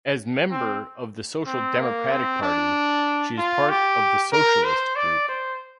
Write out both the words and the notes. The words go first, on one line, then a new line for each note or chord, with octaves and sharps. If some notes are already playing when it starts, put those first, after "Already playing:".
As member of the Social Democratic Party, she is part of the Socialist Group.
C4
C4
A#3
C4
D4
F4
G4
A#4
C5
D5
C5